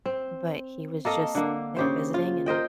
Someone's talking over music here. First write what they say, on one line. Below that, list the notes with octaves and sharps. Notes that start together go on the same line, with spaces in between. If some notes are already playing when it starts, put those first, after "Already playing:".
but he was just there visiting and
C4
A#3 A4 D#5 F5
D3 A#3
C#3 G4 C5
F4
A#4 C5 D#5 G5